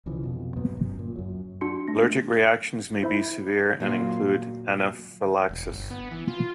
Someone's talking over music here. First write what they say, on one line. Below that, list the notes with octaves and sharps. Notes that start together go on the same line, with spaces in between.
Allergic reactions may be severe and include anaphylaxis.
C2 C#3 E3 F3
F2 B2
G#2 F#3 B3
G1 F#2
A#2
F#2 F#3
D4 F#4 C6 C#7
A3 D4 A#6
E4 C5 E5 B5
A#2 F#3 F4
E1
G1
B3
E3
F4